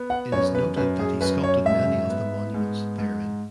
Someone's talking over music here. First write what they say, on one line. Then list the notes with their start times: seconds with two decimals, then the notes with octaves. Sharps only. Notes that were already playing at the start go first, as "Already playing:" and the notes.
It is noted that he sculpted many of the monuments therein.
Already playing: B3
0.10 F#5
0.32 F#2 C#5
0.55 B4
0.76 F#2 B4
0.99 G#4
1.21 F#2 B4
1.44 C#5
1.65 G#2 E5
2.10 B3
2.54 G#2
2.98 G#2